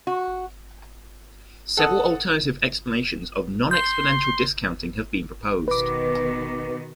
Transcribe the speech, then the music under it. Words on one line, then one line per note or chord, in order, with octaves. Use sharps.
Several alternative explanations of non-exponential discounting have been proposed.
F#4
A4 F#5 D#6
C6 G6
B2 D#3 B3 B4 D6